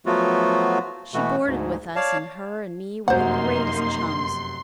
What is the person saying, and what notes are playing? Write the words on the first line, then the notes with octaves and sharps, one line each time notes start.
She boarded with us and her and me were the greatest chums.
F3 F#3 A3 B3 F4 F#4
B2 E3 A3 F#4
D2 G#2
C#5 D5 F5 A5
F1 F#2 A#3 D#4 C5 F#5 C6